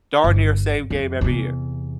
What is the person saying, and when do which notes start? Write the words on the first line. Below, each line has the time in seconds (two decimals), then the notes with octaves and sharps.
darn near the same game every year.
0.24 G1
0.90 F2
1.21 E2 C3